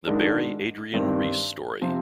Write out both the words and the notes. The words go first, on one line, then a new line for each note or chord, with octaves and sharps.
The Barry Adrian Reese Story.
G#2 D#3 G#3 D4
G2 D#3 G3 C4
C3 F3 C4